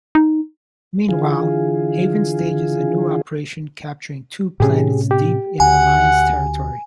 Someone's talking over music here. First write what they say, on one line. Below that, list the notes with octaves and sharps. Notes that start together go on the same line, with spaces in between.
Meanwhile, Haven stages a new operation capturing two planets deep in Alliance territory.
D#4
D3 E3 F4 G#4
A2 C3 C#4 G4 G#4
G4
D2 F#5 G#5